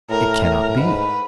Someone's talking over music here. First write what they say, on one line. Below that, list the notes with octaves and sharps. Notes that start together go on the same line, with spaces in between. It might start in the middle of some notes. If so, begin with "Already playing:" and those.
"It cannot be!"
A2 A#4
A#4
G#2 B4